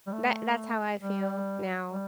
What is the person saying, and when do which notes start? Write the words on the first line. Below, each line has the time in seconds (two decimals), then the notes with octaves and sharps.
that that's how I feel now
0.06 G3
0.12 A3
1.00 G3
1.89 G3